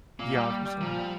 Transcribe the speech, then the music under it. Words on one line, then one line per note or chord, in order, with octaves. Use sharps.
Yeah, for certain.
A#2 A#3
G3
G3
G3
A#2 F3
G3